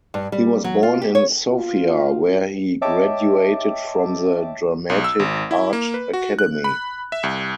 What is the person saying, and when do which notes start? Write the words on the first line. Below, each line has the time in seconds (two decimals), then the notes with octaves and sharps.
He was born in Sofia, where he graduated from the dramatic art academy.
0.14 G2
0.32 G3
0.64 F#3
0.83 F4
1.02 G4
1.15 C#5
1.47 F4
2.82 C#5 D#5 E5 G5 A5 D6
4.90 B1
5.04 E6
5.20 G#1
5.51 E4
5.73 A#3
5.94 B4
6.13 F#4
6.39 F#6
6.64 B5
7.12 E5
7.23 C2